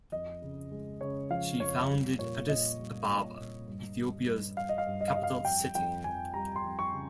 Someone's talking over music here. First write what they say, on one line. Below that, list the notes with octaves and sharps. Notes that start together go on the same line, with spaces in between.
She founded Addis Ababa, Ethiopia's capital city.
F2 D#5
C#3
G#3
C#3 C#5
F3 F5
F2 C#5
G3
A#2 C#5
A#2 D#5
G3
A#2
A#2
G2
G3
G2
G2 F5
D#5
F5
G2
D#5
F5
G3 D#5
F5
F2 G5
F2 G5
F2 G#5
G3 A#5
C6
F2
C#6
C#3